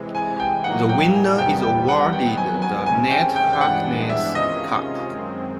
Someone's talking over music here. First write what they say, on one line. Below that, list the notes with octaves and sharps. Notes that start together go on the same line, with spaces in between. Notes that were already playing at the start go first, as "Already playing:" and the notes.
The winner is awarded the Ned Harkness Cup.
Already playing: C3 E3 G#3
G#5
G5
A2 F#3 A#3 D#4 F#5
G5
G#5
E2 C3 D#3 G3 B3 G5
G5
F#5
D#3 F#3 B3 G5
G#5
G#5
C3 D#3 G#3 C#4 G#5
G5
G5
G5
G2 E3 G#3 B3 D4 F#5
E5
C3 D#3 G#3 C#4 F4 D#5
F#2 D#3 G#3 C4